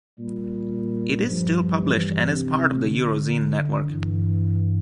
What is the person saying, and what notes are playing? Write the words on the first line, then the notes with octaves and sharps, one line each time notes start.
It is still published, and is part of the Eurozine network.
A#2 G3
G2 F3
E3
C3
D3
G2 E3